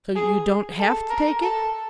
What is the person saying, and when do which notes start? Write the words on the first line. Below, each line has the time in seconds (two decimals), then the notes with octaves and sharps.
So you don't have to take it.
0.16 G#4
0.79 A4
1.10 A#4
1.41 A4